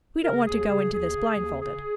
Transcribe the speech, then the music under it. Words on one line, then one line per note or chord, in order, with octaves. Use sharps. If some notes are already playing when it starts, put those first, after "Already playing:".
"We don't want to go into this blindfolded."
C#3 A#4
D#2 G#4
C#3 G#4
D#2 G#4
C#3
D#2
C#3 G#4